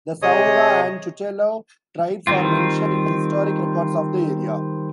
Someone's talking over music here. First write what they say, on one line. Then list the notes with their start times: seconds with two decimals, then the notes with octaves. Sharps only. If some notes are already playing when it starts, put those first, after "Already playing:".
The Saura and Tutelo tribes are mentioned in historic records of the area.
0.22 C3 G#4 C#5 D#5 D#6
2.27 D#3 G3 C4 F4